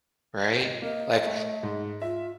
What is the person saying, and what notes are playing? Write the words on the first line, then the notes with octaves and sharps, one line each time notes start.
Right? Like,
D#5
A#3 D#5
A3
G#2
F4 E5